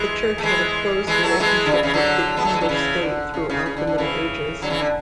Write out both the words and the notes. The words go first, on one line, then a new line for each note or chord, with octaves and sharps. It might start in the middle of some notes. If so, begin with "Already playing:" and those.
The Church had a close relationship with the English state throughout the Middle Ages.
Already playing: E3 G#3
A3
E3 G#3
E3 G#3
F#3 A3
E3 G#3
D3
C#3 E3
C#3 E3
D3 F#3
G#3 B3
F#3 A3
E3 G#3
D3 F#3
C#3 E3
D3
C#3
C#3
C#3
D3
D3
C#3 E3
D3 F#3
C#3 E3
D3